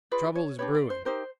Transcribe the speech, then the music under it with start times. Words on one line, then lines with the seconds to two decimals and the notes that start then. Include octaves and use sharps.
Trouble is brewing.
0.11 F4 G#4 B4 D5
0.35 C#5
0.59 D4 G4 B4 C#5
0.75 D5
0.90 C5
1.05 D#4 G4 A#4 C5